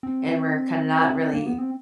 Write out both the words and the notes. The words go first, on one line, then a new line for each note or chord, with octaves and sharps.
and we're kinda not really
C4
A#3
B3
C4